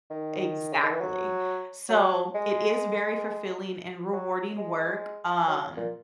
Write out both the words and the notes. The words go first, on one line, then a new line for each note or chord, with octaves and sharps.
Exactly, so, it is very fulfilling and rewarding work, um,
D#3
C#3
D#3
E3
F#3
F#3
G#3
F#3
G#3
F#3
A#2